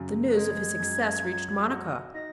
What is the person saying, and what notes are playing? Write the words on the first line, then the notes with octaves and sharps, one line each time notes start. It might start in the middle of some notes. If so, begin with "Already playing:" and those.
The news of his success reached Monica.
Already playing: F#2 C#3
F#6
G#3 G#6
F#2
F#3
F#4
D#4 A#6